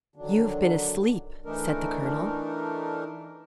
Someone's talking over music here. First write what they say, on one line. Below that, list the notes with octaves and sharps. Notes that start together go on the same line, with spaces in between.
"You've been asleep," said the colonel.
D3 D#3 F#3 D4
E3 A3 D4 D#4 A#4